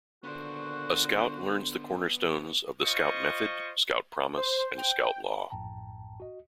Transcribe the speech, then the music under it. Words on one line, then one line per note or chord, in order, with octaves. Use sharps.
A Scout learns the cornerstones of the Scout method, Scout Promise, and Scout Law.
A#2 D3 B3 D4 F#4 C5
F4 C5 D#5 C#6
C5
G5
A#1 F#2 A2 G5 A5 A#5
F#4 D#5